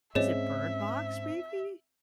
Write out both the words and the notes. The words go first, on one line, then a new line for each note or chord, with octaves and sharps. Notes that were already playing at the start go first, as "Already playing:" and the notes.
Is it Bird Box maybe?
G#2 C4 C#4 G#4 C#5 D#5 E5